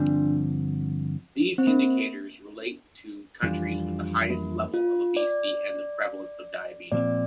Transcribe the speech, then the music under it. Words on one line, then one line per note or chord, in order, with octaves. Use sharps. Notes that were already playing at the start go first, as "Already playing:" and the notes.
These indicators relate to countries with the highest levels of obesity and the prevalence of diabetes.
Already playing: G2 D3 F3 C4 D4
C4
A#3
F2 E3 G3 D4 F4
A#3
F4
D5
A#2 F3 C4 D5